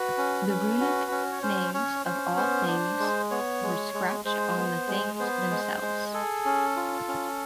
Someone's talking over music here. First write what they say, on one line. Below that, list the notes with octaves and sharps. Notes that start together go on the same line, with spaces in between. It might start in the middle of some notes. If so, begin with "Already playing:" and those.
The runic names of all things were scratched on the things themselves.
Already playing: F#4 B4
C#4
C#4
F#4
C#4
C#5
C#4 C5
C#4 C#5
C#4 C5
B3 C5
D4
G#3
B3 C#5
G#3
G#3
G#3 C5
B3
G#3
B3 C5
G#3
G#3
G#4 A4
C#4
F4
C#4